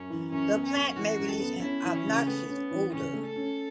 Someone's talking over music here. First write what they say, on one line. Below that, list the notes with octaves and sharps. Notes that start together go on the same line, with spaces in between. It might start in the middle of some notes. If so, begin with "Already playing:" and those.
The plant may release an obnoxious odour.
Already playing: F#2 C#4
E3
F#2 C#4
B3
C#4
F#2
E3 F#4
F#2
A4
B3
C#4 E4
E3
C#4
C#3
A3 B3
C#4
E3
C#3 C#4
A3
A4
C#4